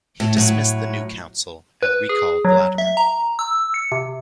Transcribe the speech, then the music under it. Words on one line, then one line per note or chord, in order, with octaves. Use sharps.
He dismissed the new council and recalled Latimer.
A2
A2 F#3
B4
G#4
F#3
E5
A#5
E6
C#7
C3